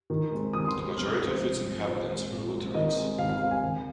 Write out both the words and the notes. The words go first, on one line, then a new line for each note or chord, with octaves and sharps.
The majority of its inhabitants were Lutherans.
D#3
G#3 C4
D#3 D#6
D#6
C6
G#3 C4
C3 F6
D#6
F3 G#3
C5
C3
F3 G#3
A#2 C5
G#3 C4
A#2
G#3 C4
D#3 D#5
G#3 C4
D#3 F5
F5
G#3 C4 F5
G#5
D#3